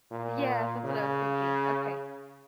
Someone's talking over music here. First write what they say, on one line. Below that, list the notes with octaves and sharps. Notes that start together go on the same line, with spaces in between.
Yes, that's what I was thinking. Okay.
A#2
C#3